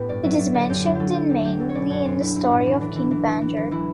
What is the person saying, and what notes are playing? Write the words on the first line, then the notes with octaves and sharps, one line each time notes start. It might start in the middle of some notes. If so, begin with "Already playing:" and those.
It is mentioned in mainly in the Story of King Banjar.
Already playing: A2 B3 G4 B4
G2 D5
F#3 E5
F#3 D5
D3 D5
F#2 G4
F#3 D4
F#3 G4 A4
F#3 G4
E2 G4
F#3 G4
F#3 A4
C#5
B2 D5
F#2 C#5
F#2 D4
F#2 E4
F#2 E4
F#4
A2 E4
E3 D4
E3 D4
E3 E4
E3
E3
E3
E3
E3 E4